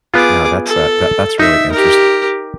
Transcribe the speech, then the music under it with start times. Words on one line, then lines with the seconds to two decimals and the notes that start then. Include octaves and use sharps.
yeah, that's uh, that that's really interesting.
0.14 B3 F4 G#4 D6
0.66 A4
1.39 D#4 E5
1.72 G4 A#4